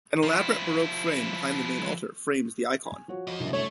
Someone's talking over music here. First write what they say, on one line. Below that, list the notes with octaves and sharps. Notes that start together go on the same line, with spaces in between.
An elaborate baroque frame behind the main altar frames the icon.
F3 E4
G#5
F3 F#4 C#5
F2 D#5
C2 F#2 D3
A3 C#5